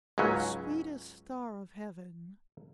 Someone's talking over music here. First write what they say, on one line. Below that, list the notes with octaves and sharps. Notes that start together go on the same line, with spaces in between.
O sweetest Star of Heaven!
C#2 G#2 C#3 F#3 C#4